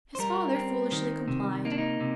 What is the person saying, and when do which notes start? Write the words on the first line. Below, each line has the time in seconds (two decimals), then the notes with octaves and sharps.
His father foolishly complied.
0.15 C5
0.19 G3 A#4
0.55 C4
0.92 D#3
1.28 C3
1.65 A#3 D#4
1.72 D4
1.78 D#4
2.00 C3